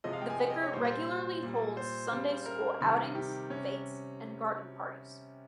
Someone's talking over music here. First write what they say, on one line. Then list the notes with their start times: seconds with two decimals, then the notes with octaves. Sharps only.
The Vicar regularly holds Sunday School outings, fetes, and garden parties.
0.04 C3 F3 G#3 D#5
0.13 F5
0.22 G5
0.30 G#5
0.39 G5
0.50 D#5
0.62 C#5
0.73 G3 C5
0.76 A#2
0.85 C5
1.43 A#2 G3
1.77 C5
2.12 C#3 G3
2.46 A#4
2.81 C3 D#3 G3
3.15 G4
3.50 C3 G3 C#4